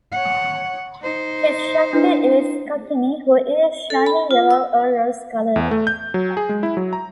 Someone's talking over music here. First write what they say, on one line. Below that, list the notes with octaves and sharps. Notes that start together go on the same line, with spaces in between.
His shakti is Kakini, who is shining yellow or rose-coloured.
C#5 F#5
D#4 C5
D4 E4 B4
A4
B5
F4
E6
E2
A3
G6
F#3
G#4
G#3
E4
F#3
A#5